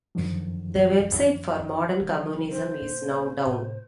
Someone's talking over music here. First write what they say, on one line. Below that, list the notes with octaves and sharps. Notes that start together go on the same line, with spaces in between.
The website for "Modern Communism" is now down.
F#2 D3 D#3 F3
C#3 E3 F#3
C5
A#2
A2 C3